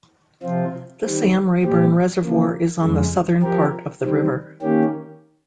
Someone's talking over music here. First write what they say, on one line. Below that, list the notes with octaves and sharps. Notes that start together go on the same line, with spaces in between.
The Sam Rayburn Reservoir is on the southern part of the river.
C3 F3 C4 F4
D#3 G3 C4
A#2 G3 C4 G4
C#3 F3 A#3
F2 C#3 G#3
F3 C4 G4 A#4
D#3 G3 C4
D#3 A#3 C#4 G4